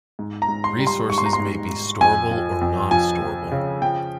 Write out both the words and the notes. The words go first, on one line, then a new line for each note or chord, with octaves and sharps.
Resources may be storable or non storable.
G#2
A#5
G#2
C6
G3
C6
G#2 C#6
C6
A#5
C6
G#2
G#2
F2 G#5
F3
F2
F3 G#5
F3
C#3
F3 G5